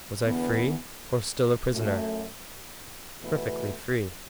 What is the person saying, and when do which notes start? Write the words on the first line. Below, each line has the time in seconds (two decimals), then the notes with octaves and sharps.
Was I free or still a prisoner? Perfectly free.
0.25 E2 D3 B3
1.73 F#2 F#3 A3
3.21 E2 B2 A3 F#4 B4